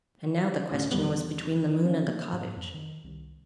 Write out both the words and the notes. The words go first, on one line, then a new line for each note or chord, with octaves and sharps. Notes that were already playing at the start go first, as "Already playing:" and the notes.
And now the question was between the moon and the cottage.
D2 A2 C#4
B1 E2 G3 B3
C#4
A#3
G#2
F2
D#3
C2